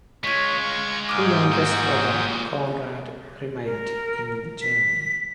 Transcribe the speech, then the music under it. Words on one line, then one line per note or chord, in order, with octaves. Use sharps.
The youngest brother, Konrad, remained in Germany.
G#3 F4 C#5 G#6 B6
C#6
G#2 G5 D6 D#6 F6
A#2 F#4
A#4
B6